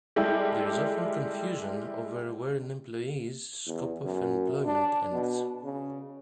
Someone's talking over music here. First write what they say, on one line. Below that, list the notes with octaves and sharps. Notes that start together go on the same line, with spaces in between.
There is often confusion over where an employee's "scope of employment" ends.
G3 G#3 E4 G4 A4
E2
F#2
D4
B2
C#3